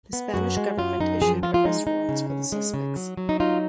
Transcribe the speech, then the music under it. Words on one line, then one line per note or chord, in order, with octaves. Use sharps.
The Spanish government issued arrest warrants for the suspects.
B3
F#2 F#4
G#3
F#2 F4
F#2 D#4
F3 G#4
F3 F4
F4
G#3 D#4
D#4
C#3
C#4
G#3
C#3
F#3
F#3
D#4
D#4 F4